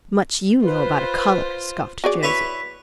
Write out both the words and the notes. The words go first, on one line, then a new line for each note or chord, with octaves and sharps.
Much you know about a colour,' scoffed Josie.
F4 B4 C5
F#4 G#4 D5
E4 B4 C#5